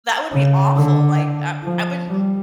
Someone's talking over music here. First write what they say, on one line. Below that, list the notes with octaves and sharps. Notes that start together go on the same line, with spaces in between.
that would be awful. Like, I I wouldn't
C#3
D3
F3
G3